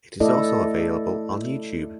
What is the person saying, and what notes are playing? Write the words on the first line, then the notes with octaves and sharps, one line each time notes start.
It is also available on YouTube.
A3 E4 A4 D5 D#5